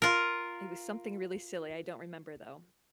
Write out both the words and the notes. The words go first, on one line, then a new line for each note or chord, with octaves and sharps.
It was something really silly, I don't remember, though.
F4 A#4